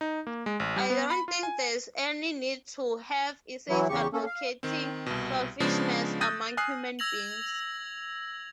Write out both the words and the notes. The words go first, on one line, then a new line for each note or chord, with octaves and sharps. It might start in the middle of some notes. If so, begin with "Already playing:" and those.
I don't think there's any need to have essays advocating selfishness among human beings.
D#4
A#3
G#3
A1
G3
B3
B5
F4
G#5
E3 F#3 E4
E2 C#3 G4 C#6
A#3 C#4 A4
F5
D#3 C4
C2 B2
C#3 F3 G#3 B3 D4
D#6 F#6 G6 A6 A#6 D#7
G#5 D#6 F6 F#6 C7
E6 G#6 A#6 F7 F#7